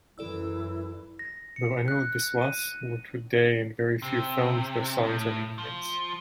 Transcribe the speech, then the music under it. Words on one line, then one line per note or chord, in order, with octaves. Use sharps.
Though Anil Biswas worked with Dey in very few films, their songs remain famous.
F#2 E3 E4 A4 D5 E6
A#6
C#7
F#6
D#7
C3
A2
F3